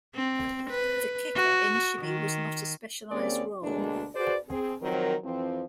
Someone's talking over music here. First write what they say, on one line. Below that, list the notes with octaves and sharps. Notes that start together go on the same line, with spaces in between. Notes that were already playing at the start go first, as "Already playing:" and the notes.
The kicker initially was not a specialized role.
C4
B4
F#4
D#3
D#2 A#3 C4 C#4 G#4 D5
D2 B2 G#3 A#3 D4
F#4 G#4 B4 C5 D5
C4 G#4
D#3 F3 F#3 C4 A#4
F2 E3 F3 C4